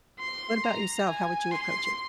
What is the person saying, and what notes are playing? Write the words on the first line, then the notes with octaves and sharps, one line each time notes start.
What about yourself? How would you approach it?
C6
A#5
G#5
C6